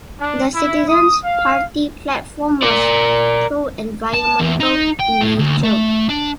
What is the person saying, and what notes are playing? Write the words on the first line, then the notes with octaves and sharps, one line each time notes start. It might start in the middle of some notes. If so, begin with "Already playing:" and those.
The Citizens Party platform was pro-environmental in nature.
D4
E4
D#6
F5
A#4 D5
A5
E2
D#4
G5
A2
D2
A3
D4